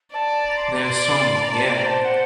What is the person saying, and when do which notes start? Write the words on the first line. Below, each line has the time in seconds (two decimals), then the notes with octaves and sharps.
Their song Yeah!
0.13 D5 A5
0.48 A#5
0.56 C6
0.65 D6
0.74 A#5
0.82 D5 C6
1.00 D6
1.17 C6
1.34 A5
1.39 A#5
1.51 D5 A5
1.62 G5
1.74 A#5
1.85 C5 A5
2.03 F#5